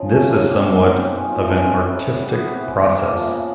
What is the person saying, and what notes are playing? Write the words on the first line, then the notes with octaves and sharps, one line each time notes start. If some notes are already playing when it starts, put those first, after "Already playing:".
This is somewhat of an artistic process.
Already playing: C#3 F3 D#4
A3 C#4
F#3 B3
C3 A#3
D#3 A#3
G#3 B3 C4
C4
B2
C#4
B2 F4
E4
G#3 D4
C#4
A2 C4
G3
A2 B3
B3
E3
B3
C3
G#3
C3 A#3
A#3
F3 A3
A#3
C#3 B3